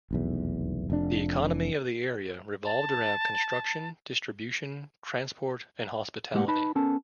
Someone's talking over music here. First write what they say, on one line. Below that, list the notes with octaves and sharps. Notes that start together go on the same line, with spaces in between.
The economy of the area revolved around construction, distribution, transport and hospitality.
F1 B1 E2
F1 F2 C#4 D4
A5
A2 G#3 A#3 G4 F#5
D#4 B4 D#5 A5 B5
B3 C#4 A4 A#4 A5